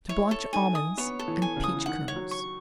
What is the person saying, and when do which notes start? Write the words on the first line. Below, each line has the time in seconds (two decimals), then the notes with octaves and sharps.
To Blanch Almonds and Peach Kernels.
0.09 E4 C#5
0.31 A4
0.53 D#4 G#5
0.75 D#6
0.97 B3 C#5
1.19 A4
1.28 E3
1.42 G#5
1.56 C#3
1.64 D#6
1.77 E3
1.86 D#3 F#5
2.08 C#5
2.16 F#3
2.31 C#6